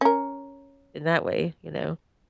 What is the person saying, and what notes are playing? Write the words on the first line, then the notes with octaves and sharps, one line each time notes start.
in that way. You know?
C#4 A#4